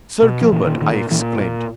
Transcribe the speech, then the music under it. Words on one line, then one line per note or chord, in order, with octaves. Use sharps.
"Sir Gilbert!" I exclaimed.
B2
F3
A#2 E3
D#3
A#2 D#3
A#2 E3
A#2